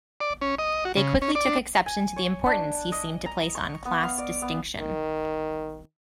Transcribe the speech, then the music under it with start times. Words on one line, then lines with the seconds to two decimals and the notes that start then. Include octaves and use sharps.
They quickly took exception to the importance he seemed to place on class distinction.
0.21 D5
0.41 C#4
0.59 D#5
0.85 F#4
0.97 C#3
1.22 C#4
1.35 D5
1.48 D4
1.86 G#5
2.16 C#5
2.46 D4
2.92 D#5
3.26 A#5
3.55 C#6
3.85 B3
4.03 F5
4.18 D5
4.42 B3
4.78 D#3